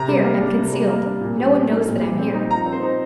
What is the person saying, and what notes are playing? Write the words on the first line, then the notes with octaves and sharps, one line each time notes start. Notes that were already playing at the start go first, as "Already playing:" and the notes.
Here I'm concealed, no one knows that I'm here.
Already playing: C3 A#5
G3
A#3
D4
C3
G3
A#3
D4
A#2
G3
C4
D#4
A#2
G3
C4
D#4
F3 A#5
C4
C5
D#4